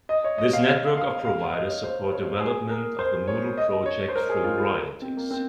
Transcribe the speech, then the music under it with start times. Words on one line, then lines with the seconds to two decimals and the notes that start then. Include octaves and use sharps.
This network of providers support development of the Moodle project through royalties.
0.09 D#5
0.24 C#5
0.38 D#5
0.53 F5
0.68 F5
0.97 F5
1.25 F5
1.54 D#5
1.69 C#5
1.84 C5
2.13 C#5
2.41 G#4
2.70 A#4
2.99 C5
3.28 C#5
3.58 D#5
3.86 C#5
4.08 C5
4.15 A#4
4.29 G#4
4.44 F4
4.58 F4
5.02 C4
5.17 A#3
5.31 C4